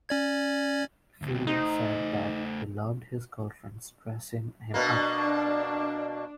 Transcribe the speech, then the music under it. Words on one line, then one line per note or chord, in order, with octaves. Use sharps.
Fielding said that he loved his girlfriends dressing him up.
C#4 D5 G#6
D2 C3
A3 D#4 C5
B2 A#3 D4